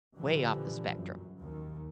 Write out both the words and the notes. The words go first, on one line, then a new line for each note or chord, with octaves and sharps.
way off the spectrum.
A#2 D3 E3 F3 G3
F#2
D#2